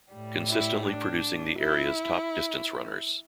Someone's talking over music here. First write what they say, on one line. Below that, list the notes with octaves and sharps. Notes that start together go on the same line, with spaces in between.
Consistently producing the area's top distance runners.
A2 G3
E4
D4
E4